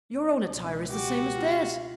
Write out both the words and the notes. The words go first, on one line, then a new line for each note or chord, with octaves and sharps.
Your own attire is the same as theirs.
D2
C#2 B2
F#4 G4 D6
F4